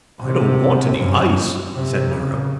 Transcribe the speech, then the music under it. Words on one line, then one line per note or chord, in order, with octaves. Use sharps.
"I don't want any ice," said Nero.
C3
F#2
C3
C#3